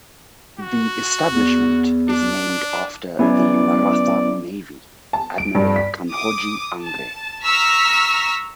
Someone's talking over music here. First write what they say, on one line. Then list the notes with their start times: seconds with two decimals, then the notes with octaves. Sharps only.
The establishment is named after the Maratha Navy Admiral Kanhoji Angre.
0.59 F#4
1.31 E2
2.09 D4
3.19 F#3 B3 C#4 E4 G#4 D5
5.13 A5
5.38 D7
5.55 G2
5.76 B6
6.11 D6 D#6
6.79 A5
7.44 A#5 C#6 E6 F6 A#6 B6